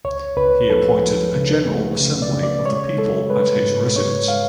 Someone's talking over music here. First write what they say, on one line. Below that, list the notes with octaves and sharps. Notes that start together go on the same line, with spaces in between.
He appointed a general assembly of the people at his residence.
C#2 C#5
C#2 B4
F3 A4
F3
C#3
A3
C#3
D5
C#3
D5
G#3 C#5
G#3 A4
G#3 B4
G#2
G#2 C#5
G#3 F5